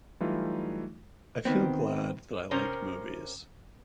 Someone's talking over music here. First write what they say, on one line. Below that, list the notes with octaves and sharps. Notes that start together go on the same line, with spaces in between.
I feel glad that I like movies.
E3 F#3 G3 A3 D#4 F4
D#3 B3 C4
C3 C#4 A#4 C5 A#5